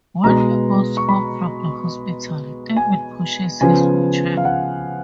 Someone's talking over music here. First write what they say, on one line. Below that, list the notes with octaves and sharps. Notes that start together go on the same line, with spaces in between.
When he goes home from the hospital, David pushes his wheelchair.
B2 G#3 B3 A#5
C#6
B5
G#5
C#3 F3 B3 G#5
F5
F#5